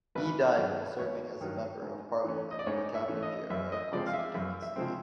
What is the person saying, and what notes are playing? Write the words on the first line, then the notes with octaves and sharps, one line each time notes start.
He died while serving as the member of parliament for Kapenguria Constituency.
G#1 B4
G2 D#3 F#3
G#1 C#5
G2 D#3 F#3
G#2
E3 A3 C#4
D#5
D5
G#2 C#5
E5
E3 A3 C#4
D#5
F#2 E5
D#5
C#3 F3 G#3 C4 D5
F5
E5
F#2 E5
E5
C#3 F3 G#3 C4